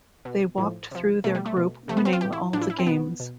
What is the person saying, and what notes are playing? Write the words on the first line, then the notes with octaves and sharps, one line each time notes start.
They walked through their group winning all the games.
B2
A2 F3
C3 F3
B2 A3
G3
A3
B2
C3 F3 A3
B3
C4
F4
A2 E3 G4
E4
A2 F3 D4 E4
E4
C4
B2 B3
B2